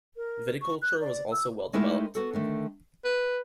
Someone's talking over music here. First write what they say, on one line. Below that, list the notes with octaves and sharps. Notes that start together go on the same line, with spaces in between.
Viticulture was also well-developed.
A#4
C#6
F#6
D5
E6
G#3 A3 D#4 E4 G4 A#4
B3 F#4 A4
D3 D#3 A3
B4